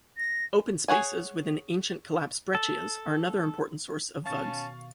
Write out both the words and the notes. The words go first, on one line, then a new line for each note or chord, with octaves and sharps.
Open spaces within ancient collapse breccias are another important source of vugs.
A#6
G#4 C#5 F#5 G#5
A4
B2 D#3 C#4 F5 A5 C#6 A6